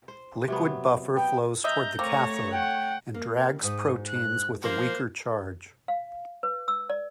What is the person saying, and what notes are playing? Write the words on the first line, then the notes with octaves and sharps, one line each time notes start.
Liquid buffer flows towards the cathode, and drags proteins with a weaker charge.
C5
C3 F#3 B3
B3 G5
D#5 E5 A#5 G6
A3 A#3 C4 C#5 A#5 C#6
F#5 G5
A#3
G#2 D#6
F#6
F3 A#3 C5
F5
B4
E6
D5